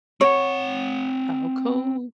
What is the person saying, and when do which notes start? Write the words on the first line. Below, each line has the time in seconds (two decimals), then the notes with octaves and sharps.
Oh, cool.
0.21 C4 C#5 F#5